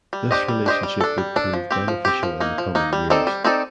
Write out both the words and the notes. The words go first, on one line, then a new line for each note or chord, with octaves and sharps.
This relationship would prove beneficial in the coming years.
G3
D4 G4 C5 D#5
G3
D4 G4 C5 D#5
G3
D4 A4
G3
D4 A4
F3
C4 G4
F3
C4 G4
F3
A#3 D#4
F3
A#3 D#4
G3
C4 D#4 A4 D5
G3
C4 D#4 A4 D5